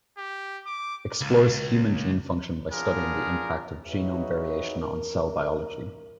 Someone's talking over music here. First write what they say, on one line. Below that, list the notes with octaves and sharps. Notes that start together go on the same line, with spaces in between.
Explores human gene function by studying the impact of genome variation on cell biology.
G4
D6
C#2
B3 D4 F4 G#4 A#4
D#4 F#4 G#4 B4 C#5 E5
A#4